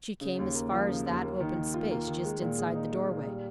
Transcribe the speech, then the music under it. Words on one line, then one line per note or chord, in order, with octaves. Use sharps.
She came as far as that open space just inside the doorway.
C#3
D#2
A#3
F3
C#3
D#2
A#3
D#3
D#3
F4
A#3
D#3
G#3
A#2
G#4
D#4
G#3
A#2
G3